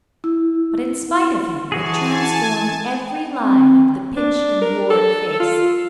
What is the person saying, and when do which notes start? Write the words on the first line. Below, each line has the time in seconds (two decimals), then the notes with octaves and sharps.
But in spite of him it transformed every line of the pinched and worn face.
0.24 E4
1.72 E3 F#4 G#4 G#5 A5
3.07 G5
3.40 C4
4.17 D4
4.61 A#4
4.90 A4
5.40 F4